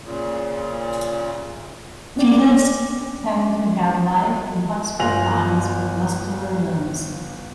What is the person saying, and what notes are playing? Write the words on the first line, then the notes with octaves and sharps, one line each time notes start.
Felids tend to have lithe and flexible bodies with muscular limbs.
A#2 C#3
B3 C#4 D4 D5 G5 D6
G1 F4 G#5 A#6 F7 F#7